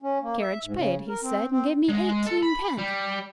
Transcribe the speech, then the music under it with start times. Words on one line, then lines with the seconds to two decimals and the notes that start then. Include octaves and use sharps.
'Carriage Paid,' he said; and gave me eighteen-pence.
0.02 C#4
0.22 A#3
0.41 E5
0.64 G#2
0.76 C#3
1.09 A#4
1.23 C4
1.50 C4
1.89 G#3
2.26 A4
2.42 B5
2.78 G3